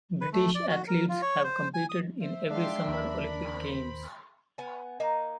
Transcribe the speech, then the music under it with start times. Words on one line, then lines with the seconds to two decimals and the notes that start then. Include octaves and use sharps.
British athletes have competed in every Summer Olympic Games.
0.21 B4
0.33 A3
0.55 D5
0.69 F#4
0.88 A#4
1.09 F4
1.22 C#5
1.44 C5
1.74 G#5
1.90 D#6
2.22 C5 E5
2.51 G#3 D4 F5 G5 C6
2.85 D#2 D#3 A#4 B5
3.55 C5
4.58 B3 F#5 G#5
5.00 A#3 D#4